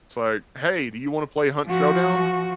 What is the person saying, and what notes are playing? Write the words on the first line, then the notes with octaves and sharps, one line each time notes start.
It's like, "Hey, do you wanna play Hunt Showdown?"
F3 F#4